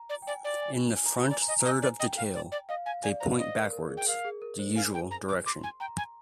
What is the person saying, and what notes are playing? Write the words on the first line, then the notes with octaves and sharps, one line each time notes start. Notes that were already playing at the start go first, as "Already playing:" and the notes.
In the front third of the tail, they point backwards, the usual direction.
Already playing: A#5
D5
G5
D5 G#5
D5
G#5
G#5
A#5
G#5
A#5
D5
G#5
A#5
D#5 G#5
A#5
D#5
G#5
D5
D#5 G5
F5
D5
D5
D#5 F5
F5 G#5
D5 G#5
C5 A#5
D#5
A#4
A#4
G#4
G5
A#4 F5
G#4
A#4
C5
F5 G#5
G5
A#5
D6
C6 D6
G#5
G5 A#5
G#5